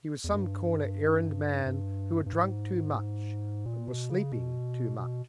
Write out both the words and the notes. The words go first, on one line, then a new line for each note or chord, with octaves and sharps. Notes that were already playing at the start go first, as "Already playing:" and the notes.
He was some corner errand-man who had drunk too much and was sleeping too much.
E2
G2
G2
G2
G#2
A#2
B2
C#3
B2
B2